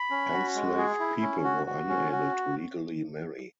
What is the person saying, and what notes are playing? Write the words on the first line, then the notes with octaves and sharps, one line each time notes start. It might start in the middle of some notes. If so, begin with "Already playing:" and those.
Enslaved people were unable to legally marry.
Already playing: B5
C#4
F#4
G#3
G#4
E4
C#4
F#4
F#4
C#4
F#4